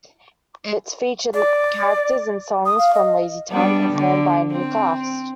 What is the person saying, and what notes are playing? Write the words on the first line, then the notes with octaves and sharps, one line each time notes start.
It featured characters and songs from "LazyTown", performed by a new cast.
D5
D#6
F5
D#5
G3 B3 D4
D3
C4